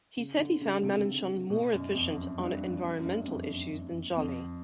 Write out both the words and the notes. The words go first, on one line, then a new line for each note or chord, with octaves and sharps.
He said he found Melenchon more efficient on environmental issues than Joly.
C#3
D3
C#3
C3
B2
F#2
F2
F#2
G2
F#2
F#2
F#2
G2
F#2
F2
F#2
F2